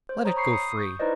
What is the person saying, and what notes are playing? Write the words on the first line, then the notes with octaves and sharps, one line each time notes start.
Let it go free.'
C5
C#5 A#5 D#6
B5 C#6 G6 C7 C#7
D#6 C#7
C#6 G6
D#4 E4 B4 C5 D5 D#5